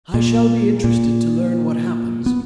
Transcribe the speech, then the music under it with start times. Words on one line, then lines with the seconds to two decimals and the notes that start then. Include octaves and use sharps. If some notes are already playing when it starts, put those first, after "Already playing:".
"I shall be interested to learn what happens."
0.14 A#2
0.84 A#2
2.26 B3